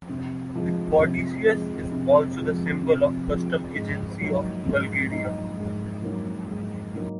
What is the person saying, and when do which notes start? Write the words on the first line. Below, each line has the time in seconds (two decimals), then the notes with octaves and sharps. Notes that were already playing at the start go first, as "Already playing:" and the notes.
The caduceus is also the symbol of the Customs Agency of Bulgaria.
0.09 C3
0.55 F3 G#3
1.01 C3
1.47 F3 G#3
1.92 C3
2.37 F3 G#3
2.83 C3
3.28 F3 G#3
3.75 G#2
4.21 F#3 A#3 D#4
4.66 G#2
5.11 F#3 A#3 D#4
5.56 G#2
6.02 F#3 A#3 D#4
6.48 G#2
6.94 F#3 A#3 D#4